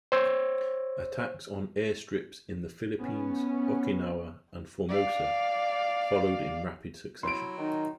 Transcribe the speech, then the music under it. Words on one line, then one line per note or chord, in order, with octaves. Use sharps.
Attacks on airstrips in the Philippines, Okinawa, and Formosa followed in rapid succession.
C5 C#5 E6 G#6
B3 C#4
D5 F5
F#3 E4 C6 D7
D#3 D#4